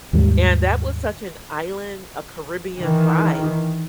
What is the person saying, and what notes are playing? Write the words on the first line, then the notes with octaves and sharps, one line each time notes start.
and that was such an island, a Caribbean vibe,
D#2 G#2 G3
D#3 E3